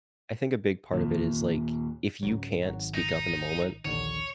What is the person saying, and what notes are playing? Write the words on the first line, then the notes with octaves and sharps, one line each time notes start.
I think a big part of it is, like, if you can't speak up in the moment,
D#2 A#2
C#2 G#2 F#3
G#1 F#3
D#4
A#1 D#2 D3 C#5